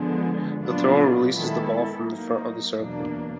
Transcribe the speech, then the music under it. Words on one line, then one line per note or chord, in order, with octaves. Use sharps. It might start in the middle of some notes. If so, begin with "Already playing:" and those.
The thrower releases the ball from the front of the circle.
Already playing: D3 F3 G#3 B3
A#2 F#3 B3 D4 F4
D#3 G#3 B3 E4 A4
F#3 A#3 D#4
E2 B2 F#3 A#3 D4